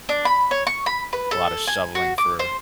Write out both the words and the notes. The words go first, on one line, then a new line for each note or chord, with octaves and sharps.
a lotta shoveling for
D4
B5
C#5
C#6
B5
B4
A4
G#5
F#4
D6
C5